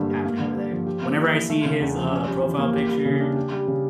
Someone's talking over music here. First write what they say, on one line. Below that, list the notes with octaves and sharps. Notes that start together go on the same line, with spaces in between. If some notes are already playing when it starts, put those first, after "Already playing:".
happening over there. Whenever I see his, uh, profile picture,
Already playing: G2 D3 A3 A#3
G3
A#3
D3
G2
F3
G4
A#3
E3
E4
A3
C#3
E2
F3
C#4
G3
E3
A#3
G4
G3
C#3
D4
G4
G3
C#3